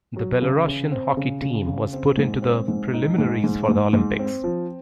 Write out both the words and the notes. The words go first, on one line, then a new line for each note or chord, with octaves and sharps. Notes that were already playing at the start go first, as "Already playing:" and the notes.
The Belorussian hockey team was put into the preliminaries for the Olympics.
F#3
C#3
C#3
C4
C#3
C#3
C#3
C4
G#2
C4
G#2
D#4
G#2
G#2
G#2
G#2
C4
F3